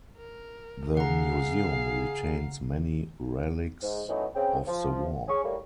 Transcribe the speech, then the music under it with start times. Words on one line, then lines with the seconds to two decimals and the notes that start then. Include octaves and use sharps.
The museum retains many relics of the war.
0.18 A#4
0.97 C#3 G#4 F5 F#5 A#5 C7
3.83 G#2
4.09 E3 F#3 A3 B3 C#4 D#4
4.35 C#3 C4 G5
4.67 F3
5.28 C#4 G#4 C#6
5.44 A2 G3 A#3